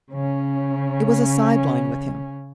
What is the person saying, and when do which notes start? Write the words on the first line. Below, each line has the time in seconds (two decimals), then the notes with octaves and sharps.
It was a sideline with Him.
0.11 C#3 C#4